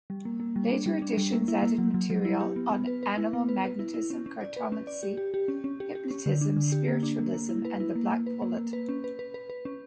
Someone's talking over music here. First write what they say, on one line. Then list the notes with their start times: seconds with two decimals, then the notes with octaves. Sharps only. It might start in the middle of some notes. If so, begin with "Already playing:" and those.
Later editions added material on animal magnetism, cartomancy, hypnotism, Spiritualism, and "The Black Pullet".
0.10 G3
0.25 A#3
0.40 A#3
0.56 G3
0.71 D4
0.86 G3
1.02 D4
1.17 G3
1.33 A#3
1.48 E4
1.63 A#3
1.78 F#3
1.94 F#3
2.10 F#3
2.25 E4
2.41 G4
2.56 B3
2.71 B3
2.87 B4
3.03 B4
3.18 E4
3.33 B3
3.49 B4
3.64 B4
3.79 E4
3.94 E4
4.10 C#4
4.26 C#4
4.41 D5
4.56 B4
4.72 C#4
4.87 D5
5.03 G4
5.17 G4
5.34 G4
5.48 C#4
5.64 C#4
5.80 G4
5.95 G4
6.11 C#4
6.26 D3
6.41 D4
6.57 D3
6.72 G4
6.88 A#3
7.03 D4
7.19 A#3
7.34 A#3
7.49 E4
7.65 B4
7.80 E4
7.95 A#3
8.11 A#3
8.26 B4
8.42 A#3
8.57 A#3
8.73 B4
8.89 C#4
9.04 B4
9.19 B4
9.34 B4
9.50 B4
9.65 C#4